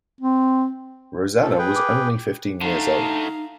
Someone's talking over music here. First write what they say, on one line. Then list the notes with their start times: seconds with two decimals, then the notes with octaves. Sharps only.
Rosanna was only fifteen years old.
0.21 C4
1.41 A#2 F3 A4
1.59 G#4 B4 G5
1.76 D6
2.61 D3 A3 D#4 F5 A#5